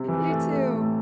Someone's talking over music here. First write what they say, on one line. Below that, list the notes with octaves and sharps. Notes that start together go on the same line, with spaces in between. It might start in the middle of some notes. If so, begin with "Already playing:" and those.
You too.
Already playing: C3
E3
A3
A3
A2